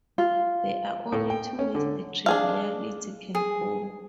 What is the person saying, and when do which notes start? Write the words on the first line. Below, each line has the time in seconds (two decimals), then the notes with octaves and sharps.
There are only two ways the triviality can go.
0.18 F4
1.12 A2
1.30 G5
1.59 C#4
1.75 D3
2.26 D4 G#4 F5
3.35 G#4